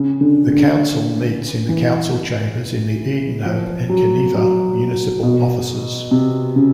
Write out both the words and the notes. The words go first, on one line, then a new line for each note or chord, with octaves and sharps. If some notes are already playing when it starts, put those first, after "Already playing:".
The council meets in the council chambers in the Edenhope and Kaniva Municipal Offices.
Already playing: C#3
D3
D3
E3
F3
F#3
F#3
B2
C3
C#3